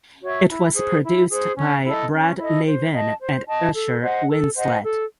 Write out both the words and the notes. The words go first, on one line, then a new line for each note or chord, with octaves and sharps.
It was produced by Brad Navin and Usher Winslett.
F#4 C#5 E5
E4
G#4 C5
E4
G#4 C5
C#4
E4 A4 D#5
C#4
E4 A4 D#5
C5
D#5 A5
C5
D#5 A5
A4
C5 D#5 F#5
A4
C5 D#5 F#5
A4